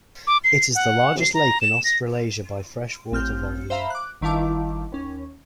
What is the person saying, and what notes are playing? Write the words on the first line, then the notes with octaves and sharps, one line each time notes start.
It is the largest lake in Australasia by fresh water volume.
D6
C7
F#5
C7
A#5
E7
A#6
A1 C4 F6 G6
C5 E5 F5 A#5 B5
D6 F#6
G1 D#3 E4 F5 A5 D6
D#2 C#4